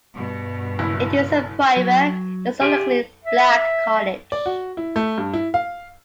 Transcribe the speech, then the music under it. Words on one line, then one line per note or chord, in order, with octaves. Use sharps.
It is a private, historically black college.
G2 B2
F#1 E4
F#3
G4 G#4 E5
E5
D5
F#4
E4
A3
G2
E4
F5